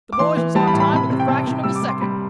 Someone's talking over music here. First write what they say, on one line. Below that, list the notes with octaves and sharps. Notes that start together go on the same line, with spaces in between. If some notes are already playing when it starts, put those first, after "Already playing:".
The boys was on time to the fraction of a second.
D6
E3 C6
E3
G3 A5
B5
A2
B5
A5
C3 B5
C3
G5
C3 A5
C3
G3 E6
D6
G3
C6
G3 B5